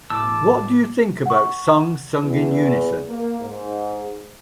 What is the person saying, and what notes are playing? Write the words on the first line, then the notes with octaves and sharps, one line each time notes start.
What do you think about songs sung in unison?
E1 A2 A5 D6 E6
F#5 C#6
E2
A#3
G#2